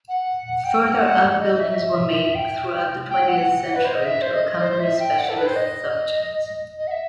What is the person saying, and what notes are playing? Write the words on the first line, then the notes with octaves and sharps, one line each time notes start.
Further outbuildings were made throughout the twentieth century to accompany specialist subjects.
F#5
G5
F#5
D#5
E5
D#5
E5
G5
G5
G5
F#5
B4
C5
D#5
E5
C5
D#5
C5
E5
G5
F#5
A4
B4
C5
D#5
D#5
F#5
E5